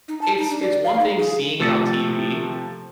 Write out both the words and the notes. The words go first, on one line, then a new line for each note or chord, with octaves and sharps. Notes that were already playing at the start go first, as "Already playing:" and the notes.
it's it's one thing seeing it on TV
D#4
A5
D#4
D4
D5
F5
D#4
G#4
C3 F3 A3 E6 A6 C#7